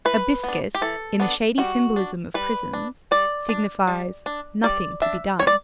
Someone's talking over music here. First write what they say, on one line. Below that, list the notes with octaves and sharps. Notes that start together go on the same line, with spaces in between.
A biscuit, in the shady symbolism of prisons, signifies: Nothing to be done.
E3 B4
B3 D4
G4
E3 A4
B3 D4
G3 F#4
D4
G3 B4
D4
G3 D5
D4
G3
D4
G3 D5
D4 E5
G3 C#5
D5